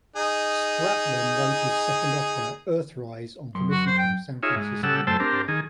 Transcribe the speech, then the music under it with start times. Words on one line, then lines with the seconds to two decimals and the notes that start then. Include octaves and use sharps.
Spratlan wrote his second opera, "Earthrise", on commission from San Francisco Opera.
0.16 D#4 G#4
3.55 F#2 C6
3.70 F#4
3.87 C5
3.98 G5
4.43 D#4 F4 G#4 C#5 E5
4.56 G#2
4.83 C#3 G3 A4 F#5 E6
5.07 F#2 A3 C5 G5 A5 E6
5.20 C4 D4 G4 A#4
5.48 D#3 G#4